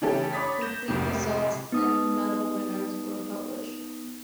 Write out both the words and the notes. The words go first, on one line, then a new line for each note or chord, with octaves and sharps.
Complete results and medal winners were published.
C#3 E3 A3 C#4 G4 A4
C#5 B5 D6 D#6 A6 B6
G6 A#6 E7
C2 F2 A2 C3
B3 D#4 D#6